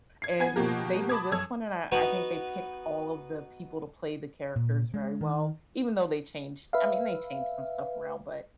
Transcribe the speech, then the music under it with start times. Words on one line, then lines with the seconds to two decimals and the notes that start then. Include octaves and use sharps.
and they did this one and I I think they picked all of the people to play the characters very well, even though they changed, I mean they changed some stuff around, but
0.22 G#6 C7
0.39 B3 G#5 G#6
0.56 B2 F3 A#3 G4 A#4
1.09 A5 B5 D6 D#6 G#6
1.32 F#2 A4 C#5 E6 G#6
1.92 B3 D#4 F#4 B4
4.56 A#2
4.94 G#3
5.21 D#3
6.73 B4 E5 F5